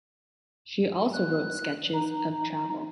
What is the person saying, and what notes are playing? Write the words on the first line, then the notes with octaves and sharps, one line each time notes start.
She also wrote sketches of travel.
F#6
D#4